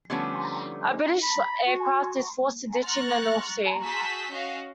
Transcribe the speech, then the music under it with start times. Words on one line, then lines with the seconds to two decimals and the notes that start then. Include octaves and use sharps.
A British aircraft is forced to ditch in the North Sea.
0.10 D3 F3 G3 A3 B3 C#4
1.23 B5
1.67 F#4
2.85 F#5 A#5 C#6 F6 F#6 A6
3.82 F#4 G#4 A5 E6 G6 B6
4.31 C#4 F#4 D#5 F5